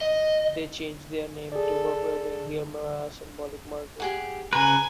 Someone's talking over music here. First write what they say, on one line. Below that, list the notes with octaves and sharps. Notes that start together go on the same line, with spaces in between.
They changed their name to Verbroedering Geel-Meerhout, a symbolic merger.
D#5
G#4 A4 D5
G4 G#4 F#5
C#3 B4 G#5 A#5